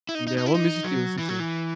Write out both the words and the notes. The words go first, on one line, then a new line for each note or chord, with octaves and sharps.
Yeah, what music do you listen to?
E4
D#4
D#4
D#4
E4
D#4
F#3
E3
F#3
E3